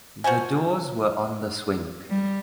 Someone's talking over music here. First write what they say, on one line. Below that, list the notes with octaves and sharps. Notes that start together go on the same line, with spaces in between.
The doors were on the swing.
F3 F#4 C5 G#5
G3